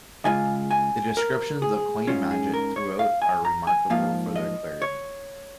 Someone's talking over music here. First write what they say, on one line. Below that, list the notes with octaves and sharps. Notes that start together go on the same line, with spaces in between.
The descriptions of coin magic throughout are remarkable for their clarity.
C#3 G#3 F4 G#5
G#5
A#4
G#4
G#2 D#3 C#4 F4
G#4
A#4
C#5
F5
G#5
A#5
G#5
G#2 F3 A#3 F4 F5
D#5
C#5